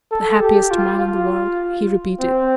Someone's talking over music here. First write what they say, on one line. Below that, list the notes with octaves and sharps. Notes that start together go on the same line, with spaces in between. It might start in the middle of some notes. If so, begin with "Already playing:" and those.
"The happiest man in the world," he repeated.
A4
G4
F4
F4
C4